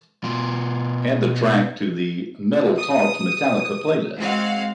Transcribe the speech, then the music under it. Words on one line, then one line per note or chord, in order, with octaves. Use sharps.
Add the track to the Metal Talks Metallica playlist.
B2 F4
D#6
G#3 C4 F#4 F5